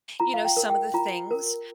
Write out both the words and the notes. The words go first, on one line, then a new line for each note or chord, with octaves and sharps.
you know, some of the things
F4 A#5
F5
G5
A#4
G5
F4 A#5
A#4